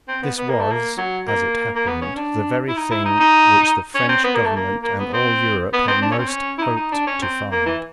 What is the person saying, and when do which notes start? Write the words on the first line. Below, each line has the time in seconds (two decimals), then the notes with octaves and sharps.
This was, as it happened, the very thing which the French government and all Europe had most hoped to find.
0.08 C4
0.22 B3
0.38 B3
0.49 A#3
0.60 A3
0.71 A#3
0.98 F#3
1.27 A#3
1.76 A#3
1.87 B3
2.02 C#4
2.16 D4
2.68 E4
2.76 D#4
2.91 E4
3.05 D#4
3.20 D#4
3.95 C#4
4.09 C4
4.24 B3
4.35 A#3
4.45 A3
4.56 A#3
4.83 A#3
4.99 B3
5.13 C4
5.73 B3
5.88 C4
6.02 D4
6.11 C#4
6.19 C4
6.28 C#4
6.58 E4
6.61 D#4
6.76 D#4
6.92 D4
7.07 C#4
7.22 C4
7.52 A#3
7.66 E3